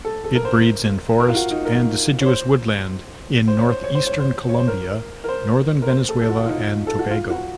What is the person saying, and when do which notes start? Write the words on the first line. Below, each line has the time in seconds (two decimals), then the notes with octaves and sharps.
It breeds in forest and deciduous woodland in northeastern Colombia, northern Venezuela and Tobago.
0.05 A4
0.24 A4
0.35 A#4
0.45 C5
1.20 A#4
1.29 F4
1.35 F#4
1.51 D#4
1.65 A#4
2.21 C#5
2.26 C5
3.48 C5
3.59 C#5
3.70 C5
3.84 C#5
3.95 C5
4.07 C#5
4.20 C5
4.49 C#5
4.58 C5
4.68 A#4
5.24 A#4
5.29 C5
5.82 A#4
5.89 C5
6.09 A4
6.22 A4
6.30 F#4
6.45 F4
6.49 D#4
6.87 A4
6.99 F#4
7.11 F4
7.30 F#4